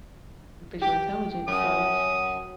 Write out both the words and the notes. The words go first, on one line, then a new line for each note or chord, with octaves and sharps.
artificial intelligence, so,
G4
F#2 D#6